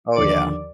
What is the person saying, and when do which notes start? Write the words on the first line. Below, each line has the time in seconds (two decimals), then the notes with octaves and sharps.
Oh, yeah.
0.17 D#2 D3 F3 D5